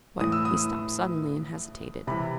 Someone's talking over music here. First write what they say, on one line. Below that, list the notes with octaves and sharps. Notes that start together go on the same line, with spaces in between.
But he stopped suddenly and hesitated.
A2 E3 D#6
E6
D#6
C3 E3 B5